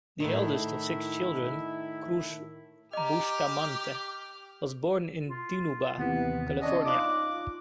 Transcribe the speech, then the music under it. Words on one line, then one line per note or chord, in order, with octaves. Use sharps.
The eldest of six children, Cruz Bustamante was born in Dinuba, California.
A2 D#3 E4
G4 D#5 A#5 D6 F6
F4
D#2 C3 E3 B3
C#4 D4 C#5 D#5
D#4 F4 D6 F#6